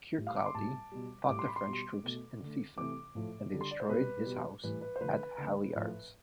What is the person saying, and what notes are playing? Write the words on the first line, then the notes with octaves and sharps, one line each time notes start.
Kirkcaldy fought the French troops in Fife and they destroyed his house at Halyards.
A2 G3
F5
D6
C6
A2 G3 A5
B2 G3
A2 G3 D6
C6
B5
C6
B2 G3
B2 A3
D3 A3
C3 E3 A3 D6
A2 F3 A3
D3 G3
C6
D5
C5
B2 G3 B4
B2 G3
A2 E3 G3 B4
B4
C5
D3 F3 A3 B4
D3 A3
A2 F3 A3